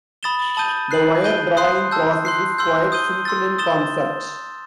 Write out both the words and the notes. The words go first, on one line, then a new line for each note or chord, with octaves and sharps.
The wire drawing process is quite simple in concept.
B5 D#6 A6 E7 G7
A5 D#6 G6 D#7
F#6 C7 F#7
G6 D#7 G7
C6 D#6 F#6 C7
A5 E6 G6
C6 F#6 C7
C6 E6 G6
D#6 G6 D#7 G7
C6 E6 A6
D#6 A6 E7 G7